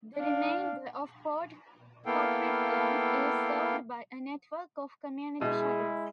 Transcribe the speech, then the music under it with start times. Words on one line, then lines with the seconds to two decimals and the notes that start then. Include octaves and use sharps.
The remainder of Port Coquitlam is served by a network of Community Shuttles.
0.17 D4 F5
2.06 A#3 B3 E4 A4 F5 G5
5.41 B2 G#3 E4 G#4